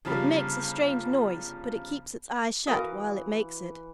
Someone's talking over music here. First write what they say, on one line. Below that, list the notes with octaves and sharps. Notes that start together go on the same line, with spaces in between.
"It makes a strange noise, but it keeps its eyes shut while it makes it."
G1 C#3 F3 G3
E3 F#4 A#4 B4 F5 D#6